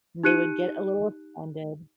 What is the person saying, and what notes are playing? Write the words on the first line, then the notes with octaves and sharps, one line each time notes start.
And they would get a little offended.
D#4 G4 F#6 C#7 D#7